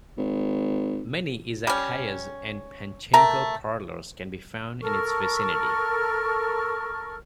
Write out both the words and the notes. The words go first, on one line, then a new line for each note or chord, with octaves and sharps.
Many "izakayas" and pachinko parlors can be found in its vicinity.
G#1
G3 C#4
A3 A#4 A#5
A4 A#4 C#6 F6